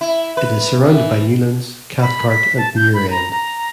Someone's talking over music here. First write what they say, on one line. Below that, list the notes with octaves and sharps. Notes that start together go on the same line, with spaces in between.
It is surrounded by Newlands, Cathcart and Muirend.
E4
B4
E3
B5
B6
A5
G6
B5
A#5
A#5